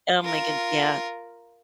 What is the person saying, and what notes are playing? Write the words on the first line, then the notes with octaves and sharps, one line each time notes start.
Oh my goodne yeah.
F4 A#4